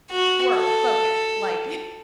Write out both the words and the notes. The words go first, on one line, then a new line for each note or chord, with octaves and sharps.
squirrel, focus, like
F#4
A4